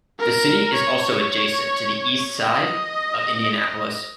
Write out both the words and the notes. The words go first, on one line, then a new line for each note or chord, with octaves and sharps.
The city is also adjacent to the east side of Indianapolis.
A#4
C#5
D#5